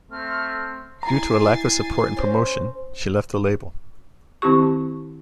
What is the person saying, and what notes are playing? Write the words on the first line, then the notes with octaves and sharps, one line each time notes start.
Due to a lack of support and promotion, she left the label.
A3 C4 F6
E4 G#5 A#5 A6 C7
C#4 A#4 C5
D#3 C4 E4 G4 C#6